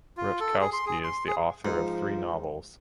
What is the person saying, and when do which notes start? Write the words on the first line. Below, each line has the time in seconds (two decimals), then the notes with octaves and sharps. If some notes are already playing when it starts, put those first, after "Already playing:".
Rutkowski is the author of three novels.
0.17 F4
0.40 A4
0.61 G#4
0.73 C6
0.87 G#4
1.04 C6
1.27 G#4
1.65 G#2 F3